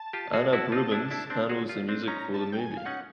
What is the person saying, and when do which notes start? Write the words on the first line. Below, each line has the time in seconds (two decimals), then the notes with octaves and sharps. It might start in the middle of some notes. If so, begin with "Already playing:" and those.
Anup Rubens handle the music for the movie.
Already playing: A5
0.13 F4 G4
0.33 F#4 G#4
0.53 E4 F#4
0.72 D#4 F4
0.92 D4 E4
1.11 D4 E4
1.30 C4 D4
1.49 F#4 G#4
1.69 F4 G4
1.88 C4 D4
2.08 C#4 D#4 A#5
2.34 A5
2.52 G5
2.60 G#5
2.77 F5
2.85 C#4 D#4 F#5